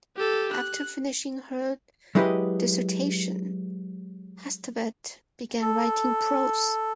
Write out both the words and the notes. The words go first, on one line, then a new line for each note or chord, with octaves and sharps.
After finishing her dissertation, Hustvedt began writing prose.
G4 A4
F#6
F#3 G#3 E4 G4 B4 D#5
A4